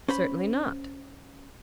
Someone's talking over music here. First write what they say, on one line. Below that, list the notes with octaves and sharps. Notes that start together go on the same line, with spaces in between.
Certainly not.
C#4 C5 B5